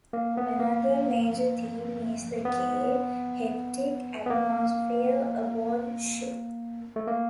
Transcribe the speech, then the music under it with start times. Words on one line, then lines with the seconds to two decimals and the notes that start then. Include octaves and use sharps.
Another major theme is the gay, hectic atmosphere aboard ship.
0.13 A#3
0.37 B3
0.60 A#3
2.45 B3
4.26 B3
4.30 A#3
6.96 A3
7.07 A#3